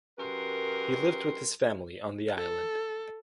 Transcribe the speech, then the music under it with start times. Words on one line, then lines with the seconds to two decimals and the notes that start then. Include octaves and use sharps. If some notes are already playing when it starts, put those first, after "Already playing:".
He lived with his family on the Island.
0.18 F#2 G4 A#4 B4 C6
2.37 A4